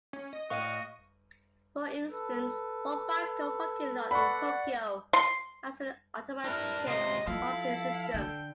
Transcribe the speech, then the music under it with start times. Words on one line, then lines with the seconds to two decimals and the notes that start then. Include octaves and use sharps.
For instance, one bicycle parking lot in Tokyo has an automated parking system.
0.13 C#4
0.33 D#5
0.50 A2 F#4 F5 C#6 D#7
2.09 A4 B4
4.11 D5 F#5 B5 C#6
5.13 C6
6.45 C4 D4 E4 A#4 B4
6.87 C#2 C3 G#3 D#5 C6
7.27 F3 E4 A4 F5
8.14 D3 G5